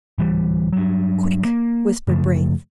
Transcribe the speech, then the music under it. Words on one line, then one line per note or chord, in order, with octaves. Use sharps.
"Quick!" whispered Braith.
D1 E3 G3
G2 F#3
A#3
F#2 C#3 F3 A3